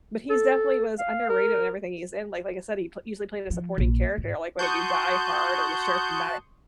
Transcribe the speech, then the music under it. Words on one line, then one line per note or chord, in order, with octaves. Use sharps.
but he's definitely was underrated in everything he's in, like like, I said, he pl usually played a supporting character, like, whether it be Die Hard or The Sheriff of Not
A4
F5
A#4
F3
A#1
G#2
F#4 A5 C6 C#6 D#6 F#6 G6